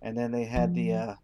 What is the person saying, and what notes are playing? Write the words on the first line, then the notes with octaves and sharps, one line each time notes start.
and then they had the, uh
F3